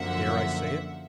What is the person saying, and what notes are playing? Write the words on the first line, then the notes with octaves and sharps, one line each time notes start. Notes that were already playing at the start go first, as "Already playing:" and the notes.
Dare I say it?
Already playing: F#2 D3 F3 A#3 E5 F#5